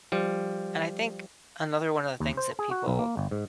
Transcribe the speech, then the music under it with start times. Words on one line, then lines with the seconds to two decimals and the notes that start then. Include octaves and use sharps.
And I think another one of the things that people
0.12 F3 G3
2.20 D#2
2.37 C5
2.59 G#4
2.71 F#4
2.88 B1
2.99 A#3
3.17 G1
3.31 G#2